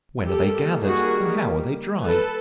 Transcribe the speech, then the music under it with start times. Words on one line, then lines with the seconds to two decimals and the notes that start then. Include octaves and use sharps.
When are they gathered, and how are they dried?
0.22 D#3 G3 A#3 G4 A4
0.82 F#4 G#4
2.02 A4 B4